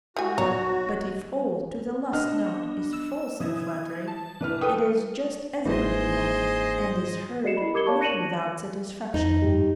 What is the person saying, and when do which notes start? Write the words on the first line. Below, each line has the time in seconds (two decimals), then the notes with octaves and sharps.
But if all, to the last note, is false in flattery, it is just as agreeable, and is heard not without satisfaction.
0.16 G3 G#3 E4 F#4 G#5
0.38 B1 B2 C#5 A#5
2.13 B3 D4 D#5 F6
2.93 E6 E7
3.40 E3 D#6 G#6
4.08 A5
4.41 E3 D4 B4 F6
4.61 C#4 A4 B4 G5 D#6
5.66 G1 G#2 E3 A#3 C#4 G#4 C5 D#5
7.44 F#4 D5 D#5 C7 C#7 E7
7.57 E4 B5
7.74 G4 A#4 D6 G#6 C#7 G7
7.86 C#5 D5 F5 A5 C#6
8.00 F#6 A#6 C#7 D#7 E7 F#7
9.14 F2 D#4
9.42 G2 G4